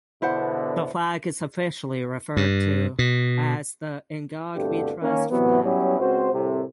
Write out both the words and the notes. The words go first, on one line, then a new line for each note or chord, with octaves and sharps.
The flag is officially referred to as the "In God We Trust Flag".
E2 B2 D3 E4 C5 F#5
G2
B2
C2 G2 B2 D3 A3 G4
D#3 A#3 C#4
C3 E3 F#3 B3
F#3 G3 B3 C#4 E4 G4
C#2 C4 F#4 C5
C2 A2 C3